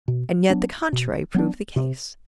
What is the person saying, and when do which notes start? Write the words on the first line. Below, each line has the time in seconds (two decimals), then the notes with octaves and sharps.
And yet the contrary proved the case.
0.08 B2
0.50 F#3 B3 D4
0.93 B2
1.34 F#3 B3 D4
1.76 C3